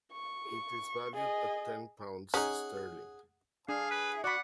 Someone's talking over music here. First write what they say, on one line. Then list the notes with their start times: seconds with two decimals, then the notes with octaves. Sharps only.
It is valued at ten pounds sterling.
0.13 C#6
1.14 G#4 D#5
2.34 C#4 D#4 G#4 F#5
3.69 D4 G#4 F5
3.91 B4
4.24 F#4 D5 F#5 B5